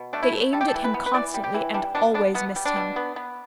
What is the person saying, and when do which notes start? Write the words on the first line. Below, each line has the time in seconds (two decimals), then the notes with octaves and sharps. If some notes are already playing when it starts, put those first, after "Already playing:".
They aimed at him constantly, and always missed him.
Already playing: B2
0.13 A3 D4
0.23 E4
0.33 A3
0.53 G3 A4
0.61 G4
0.68 A4
0.74 E3
0.84 B4
0.94 B3
1.06 B4
1.14 E3 D5
1.34 G3
1.44 G4
1.54 E3
1.74 G3 D4
1.95 B2 D4
2.14 B3 D4
2.34 B2 B3
2.56 G3
2.65 D4
2.76 B2
2.96 B3
3.16 B3